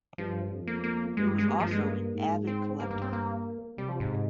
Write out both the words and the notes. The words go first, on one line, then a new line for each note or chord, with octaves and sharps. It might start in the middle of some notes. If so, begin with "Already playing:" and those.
He was also an avid collector.
G2 F3
F2
A#3
A#3
G2 G#3
G3
G#3
G2 A#3
F3
G#3
A#3
G#2
C4
G2 A#3
A#3
C4
A#3
C3 G3
F3
G#2